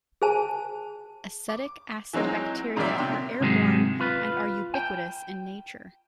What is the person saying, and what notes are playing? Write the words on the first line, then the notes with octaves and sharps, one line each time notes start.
Acetic acid bacteria are airborne and are ubiquitous in nature.
G#4 C5 G#5 A5
D6
E3 F#3 G#3 C4 D#4
F2 A#2 D#3 F#3 D5 E5
C3 G5 C6
G#2 C3 D#3 F#3 G#3
F4 B4
G5